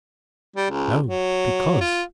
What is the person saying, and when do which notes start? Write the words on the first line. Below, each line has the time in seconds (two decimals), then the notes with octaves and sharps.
No, because.
0.56 G3
0.70 C#2
1.07 F#3
1.81 F4